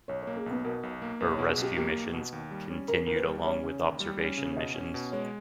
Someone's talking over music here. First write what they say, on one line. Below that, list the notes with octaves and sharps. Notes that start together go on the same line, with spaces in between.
Her rescue missions continued along with observation missions.
B1 C#5
C#5
A#3
G#4
B1 B3
B2 A#4
B1
A#3
B1 B4
C#5
B2
G#4
B1 G4
A#3 G4
B1
B2
D#2
G3
C#4
C#3 A#4
D#2 A#4
B4
G3
C#4 C#5
C#3
D#2
G3
C#4
C#3
C#5
B2 D#5
C#4
B2
G#3 C#5